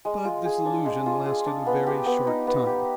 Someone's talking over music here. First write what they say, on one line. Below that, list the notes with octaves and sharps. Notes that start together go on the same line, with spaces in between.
But this illusion lasted a very short time.
G#3
F4
G#4
D4
G#3
F4
G#4
D4
B3
G4
B3
D#4
B3
G4